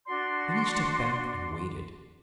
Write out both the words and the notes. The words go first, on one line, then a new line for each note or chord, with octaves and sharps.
Then he stepped back and waited.
D4 F#4 D5 C6